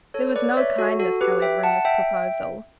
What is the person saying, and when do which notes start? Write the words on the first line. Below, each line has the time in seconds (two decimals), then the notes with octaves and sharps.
There was no kindness, however, in this proposal.
0.14 A4 C#5
0.36 B4 D5
0.57 C#5 E5
0.78 F#4 A4
0.99 F#4 A4
1.21 G4 B4
1.42 E5 G5
1.63 F#5 A5
1.85 E5 G5